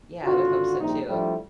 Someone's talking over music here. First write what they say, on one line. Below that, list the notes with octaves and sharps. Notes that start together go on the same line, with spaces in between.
Yeah, I would hope so too.
G#1 D3 F4 F#4
A#1 C3 G3 D#4
F3 G3 A3 D4 E4